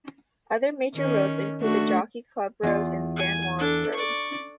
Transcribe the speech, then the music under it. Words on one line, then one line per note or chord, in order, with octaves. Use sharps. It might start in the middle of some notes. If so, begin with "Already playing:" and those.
Other major roads include the Jockey Club Road and San Wan Road.
D#3 C#4
A3 D4 F#4
E2 F4
G#5
D4 A4
D5 C#6